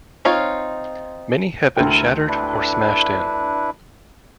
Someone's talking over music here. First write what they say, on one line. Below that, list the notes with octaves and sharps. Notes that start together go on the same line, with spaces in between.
Many have been shattered or smashed in.
C4 D#4 F4 C#5
D2 E4 A#4 G5
D4 E4 B4